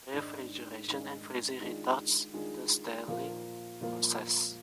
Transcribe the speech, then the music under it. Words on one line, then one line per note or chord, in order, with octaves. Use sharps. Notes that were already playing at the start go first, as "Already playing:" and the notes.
Refrigeration and freezing retards the staling process.
G#2 D#3 G#3 D4
G#2 D#3 G#3 D4
D#3 G#3 D4 F4 G#4
D#3 G#3 D4 F4 G#4
A#2 F3 A#3 F4
A#2 F3 A#3 F4